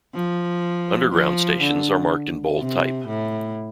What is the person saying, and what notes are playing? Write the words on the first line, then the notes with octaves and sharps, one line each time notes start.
Underground stations are marked in bold type.
F3
F3
D3
C3
A2